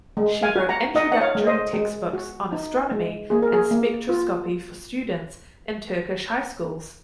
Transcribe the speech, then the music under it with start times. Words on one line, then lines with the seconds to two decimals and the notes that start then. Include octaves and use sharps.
She wrote introductory textbooks on astronomy and spectroscopy for students in Turkish high schools.
0.17 G#3
0.43 F5 G#5
0.56 F#4
0.69 F#5 A#5
0.95 D#4 D#5 F#5
1.12 F#5
1.21 C#5 F5
1.35 G#3
1.47 C5 D#5
1.73 G#3
2.13 F#4
2.52 D#4
2.91 G#3
3.30 A#3 G#4
3.42 A#4
3.53 G#4
3.71 A#3
4.09 F4